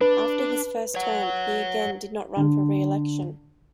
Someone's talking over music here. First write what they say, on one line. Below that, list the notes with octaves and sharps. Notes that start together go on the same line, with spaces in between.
After his first term, he again did not run for reelection.
D4 B4
C#5 F#5
D3